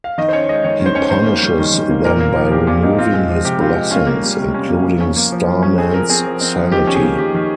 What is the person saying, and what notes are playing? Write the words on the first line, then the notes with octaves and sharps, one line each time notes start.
He punishes them by removing his blessings, including Starman's sanity.
F5
D#3 D#5
C5
C#4 C#5
G#3 D#5
D#3 C#5
D#3
C5
C#4 C#5
D#3 C5
A#3
G3
D#3
D#3
A#3
A#2 A#4
A#3
F3
A#2 G4
A#2 F4
A#3 D#4
C4 F4
G#3
F3
C3 G4
C4 F4
G#3
C#4 F4
A#3
G3
C3
C#4
A#3
F3
C#4
A#3
F3
F3
C#4
C4 G#4
F3 A#4
C4 G#4
F3
C4
F3
D#3 G4
C#4
G#4
A#3
D#3 G4
D#3